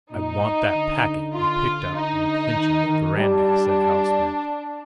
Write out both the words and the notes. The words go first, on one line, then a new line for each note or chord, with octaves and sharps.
"I want that packet you picked up on Clinch's veranda," said Hal Smith.
A#2 D#4
D3
F4
D#4
D#3
D#3
G3 D4